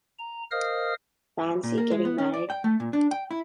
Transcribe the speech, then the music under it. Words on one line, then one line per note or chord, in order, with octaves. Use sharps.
Fancy getting married?
A#5
A#4 C5 D#5 F5 D#6 F6
A#2
A#3
G#3
B3
C#4
D5
G5
A3
A#2
D4
G5
E4